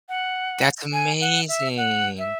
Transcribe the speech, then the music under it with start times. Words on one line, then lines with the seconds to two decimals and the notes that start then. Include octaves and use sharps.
That's amazing.
0.09 F#5
0.93 G#5
1.21 F#5
1.49 E5
1.77 F#5
2.19 E5